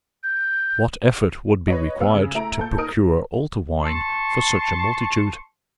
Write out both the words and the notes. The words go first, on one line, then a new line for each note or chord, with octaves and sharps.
What effort would be required to procure altar-wine for such a multitude?
G6
B4 C#5 D#5
B3 F5 E6
C#3
A3 E4 A#5 D7
A#2 A4 G6
D#4 A#4 D#6 D7
A5 C6 C#6